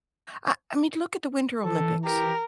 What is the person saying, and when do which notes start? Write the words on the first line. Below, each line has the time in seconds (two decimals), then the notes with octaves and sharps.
I I mean look at the Winter Olympics.
1.64 E3 A4
2.05 G4 A#4